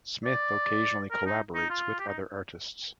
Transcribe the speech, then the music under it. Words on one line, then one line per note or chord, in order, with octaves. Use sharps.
Smith occasionally collaborates with other artists.
D5
A#4
D#4
D#4
F4
G4
D#4